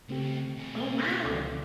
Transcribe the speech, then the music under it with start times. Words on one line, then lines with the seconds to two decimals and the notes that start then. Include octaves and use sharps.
Oh, wow.
0.09 C#2 A3 C4 G4
0.57 B2 G#4
1.24 C#2 A4 D6